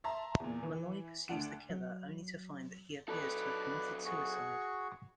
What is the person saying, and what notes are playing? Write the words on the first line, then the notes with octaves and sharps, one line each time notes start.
Malloy pursues the killer only to find that he appears to have committed suicide.
E5 A5 A#5 C6
E2 A#2
E3
D2 D4 F#5 D7
F#3
F#3 A4 B4 D5
F#4 G#4 C#6